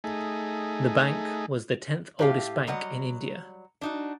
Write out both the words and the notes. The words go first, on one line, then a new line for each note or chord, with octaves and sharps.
The bank was the tenth oldest bank in India.
A3 D#4 G#4
A2 G4 F5
F#3 G3 D#5 F#5
D4 D#4 F#4